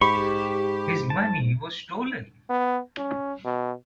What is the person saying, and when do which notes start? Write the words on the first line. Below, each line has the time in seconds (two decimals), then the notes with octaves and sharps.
His money was stolen.
0.01 G#2 G4 B5 C#6
1.10 A5
2.50 B3
2.98 C#4
3.45 B2